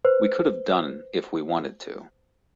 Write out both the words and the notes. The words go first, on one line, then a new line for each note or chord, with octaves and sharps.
We could've done if we wanted to.
B4 C5